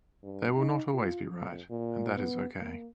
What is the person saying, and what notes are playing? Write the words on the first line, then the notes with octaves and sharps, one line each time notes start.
They will not always be right; and that is okay.
G2
D#4
F4
F2
A#2
B3
A#3